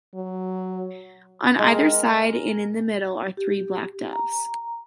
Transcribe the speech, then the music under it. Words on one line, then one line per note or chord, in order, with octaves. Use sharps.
On either side and in the middle are three black doves.
F#3
G#3
A#4
G4
A#5